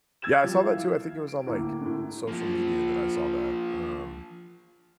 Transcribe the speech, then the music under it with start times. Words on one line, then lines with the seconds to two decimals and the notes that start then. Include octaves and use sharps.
Yeah, I saw that too, I think it was on, like, social media that I saw that, um
0.22 E6 G#6 A6 E7
0.43 F3 G3
0.61 E4 F5
1.28 D7
1.46 D2 A2 A#3
1.81 A2 D3
2.27 F3 A#3